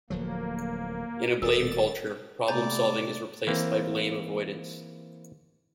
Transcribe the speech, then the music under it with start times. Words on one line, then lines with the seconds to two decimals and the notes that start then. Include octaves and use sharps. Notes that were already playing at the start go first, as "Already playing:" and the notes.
In a blame culture, problem-solving is replaced by blame-avoidance.
0.10 D1 F3 F#3 A#3
1.42 D#1 A#2 A4 A#4 A6
2.48 C3 A3 B3 D5 G#5 A#5 G6
3.47 E3 A#3 C4